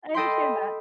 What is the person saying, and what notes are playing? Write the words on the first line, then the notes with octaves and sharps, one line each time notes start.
I understand that.
A4 D#5 G5 B5 C6